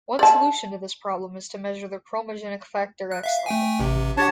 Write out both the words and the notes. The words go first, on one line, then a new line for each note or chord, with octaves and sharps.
One solution to this problem is to measure the chromogenic factor X level.
D5 A5
F#6
E5 F5
A3 G5 G#5
A1 C3
D4 G4 C#5 F#5 A5